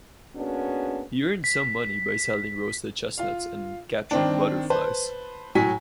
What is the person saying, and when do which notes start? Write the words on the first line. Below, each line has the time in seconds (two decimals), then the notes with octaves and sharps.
He earned some money by selling roasted chestnuts and capturing butterflies.
0.36 A#3 B3 C#4 D4 F#4 G#4
1.44 B6
3.18 F4 F5
4.11 D#3 C4 D4
4.70 B4 C5 A5
5.55 A2 F#3 G#5 B6